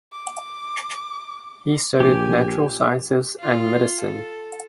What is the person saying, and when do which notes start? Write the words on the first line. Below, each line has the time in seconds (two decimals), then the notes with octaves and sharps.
He studied natural sciences and medicine.
0.12 D6
2.00 A#1 G4 G#5 D6
3.40 F4
4.00 A4